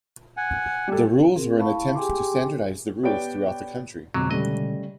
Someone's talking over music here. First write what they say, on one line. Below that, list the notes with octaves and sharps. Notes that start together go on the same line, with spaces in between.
The rules were an attempt to standardize the rules throughout the country.
F#5 G#5
G3 A4
C4 G#4 A#4
E4 F5 A5 B5 C#6
G4 G#4 G5 G#5 C6 D6
B3 G4 C#5 D5 G5 D7
F2 B2 D3 F#3 G#3 D6
C#3 G3 A3 D#5